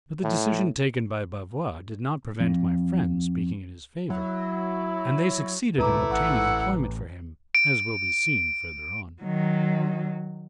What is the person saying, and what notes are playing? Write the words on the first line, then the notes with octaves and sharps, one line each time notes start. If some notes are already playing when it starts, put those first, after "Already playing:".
But the decision taken by Bavois did not prevent my friends speaking in his favour, and they succeeded in obtaining employment for him, as will be seen further on.
A2
F2
F#3 E4
D#1 C#2 B2 A3 E4 B4 A#5 D6
A1 F#5 E6
D7
D#3 F#3